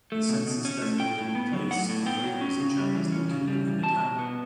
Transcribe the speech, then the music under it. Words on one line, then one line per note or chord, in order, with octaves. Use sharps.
The census-designated place of Lake Wazeecha is located in the town.
A3
B2
B2
C#4
A3
A2 G5
A2
B3
F#3
A2 F#5
A2
B3 G5
F#3
C#4
C#3
G3
E3
C#4
C#3
G3
E3
B2 A5
B2
B3